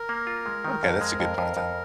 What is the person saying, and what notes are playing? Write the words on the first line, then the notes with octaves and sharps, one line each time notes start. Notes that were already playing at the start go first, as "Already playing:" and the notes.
Okay, that's a good part then,
Already playing: A#4
A#3
F4
G#3
D#3
F2
G#3
F2
F2
F2